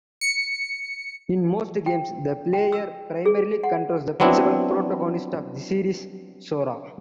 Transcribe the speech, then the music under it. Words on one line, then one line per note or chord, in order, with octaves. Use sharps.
In most games, the player primarily controls the principal protagonist of the series, Sora.
C#7
G5
G5
E6
G#4
F#5
F#3 B3 C4 D4 E4